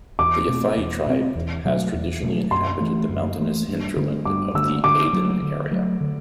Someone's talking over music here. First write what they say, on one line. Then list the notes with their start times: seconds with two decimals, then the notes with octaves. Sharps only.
The Yafa'i tribe has traditionally inhabited the mountainous hinterland of the Aden area.
0.19 E2 D6
0.48 B2 A3 C4
0.78 E2
1.07 B2 A3 C4
1.36 E2
1.65 B2 F#3 A3
1.94 E2
2.23 B2 F#3 A3
2.51 F#2 C6
2.80 E3 A3
3.09 F#2
3.39 E3 A3
3.68 G2
3.97 D3 A3
4.25 G2 D6
4.55 D3 A3 E6
4.84 D3 D6
5.13 F#3 A3
5.42 D3
5.71 F#3 A3
6.01 D3